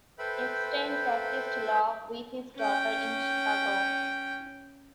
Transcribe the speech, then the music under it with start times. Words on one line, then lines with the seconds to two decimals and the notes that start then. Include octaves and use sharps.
Epstein practiced law with his daughter in Chicago.
0.19 A4 B4 C5 E5 G5 B5
2.56 C#4 G5